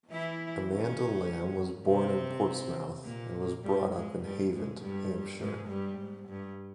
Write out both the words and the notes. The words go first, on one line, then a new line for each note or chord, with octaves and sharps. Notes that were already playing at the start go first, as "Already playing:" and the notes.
Amanda Lamb was born in Portsmouth and was brought up in Havant, Hampshire.
E3 E4
C#3 C#4
C3 C4
A#2 A#3
G2 G3
G#2 G#3
G2 G3
G#2 G#3
G2 G3
G#2 G#3
G2 G3
G#2
G2